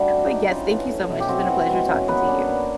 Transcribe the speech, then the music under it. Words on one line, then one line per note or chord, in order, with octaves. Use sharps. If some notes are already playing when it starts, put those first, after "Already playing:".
but, yes, thank you so much. It's been a pleasure talking to you.
Already playing: G3 A3 D4 F#4
C4
D#4
C#4 F4
E3
A3
B2
G4
C4 F#4
E3
G#3
C#4
A#3 B3 B4
D4
A#3